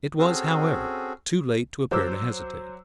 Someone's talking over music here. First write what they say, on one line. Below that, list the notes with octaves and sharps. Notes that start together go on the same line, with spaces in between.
It was, however, too late to appear to hesitate.
C4 C#4 F#4 G#4 A4
F#3 C5 D6 E6